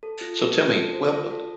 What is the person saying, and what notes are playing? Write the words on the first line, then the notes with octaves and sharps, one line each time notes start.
So, tell me well, oh
A4
F4
A4
F4
A4
C5
F4
A4